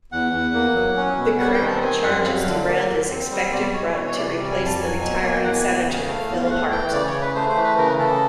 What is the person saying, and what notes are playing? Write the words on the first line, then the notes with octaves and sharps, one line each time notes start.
The criminal charges derailed his expected run to replace the retiring senator, Phil Hart.
E2 F#5
E2
A#3
F#3
C#4
B2
G3 F#5
G5
D#3
A5
C4 G#5
F#2 F#5
F#3 F5
F5
D3
A#3
D#2
C4
G3
B2 D5
D5
B2 C#5
C5
E3 C#5
C#5
C3 D5
G3 D5
G#5
F2
A5
F#3 G#5
B2 G#5
A#3 G#5
G5
E2 F#5
G#5
E3 G#5
G5
C#3
F5
A3
E2
F5
A3 F#5
E3 G5
C#3 D5
C#5
C#3
B4
A3 C5
C5
E3
B4
C#3 A#4
C#3 A4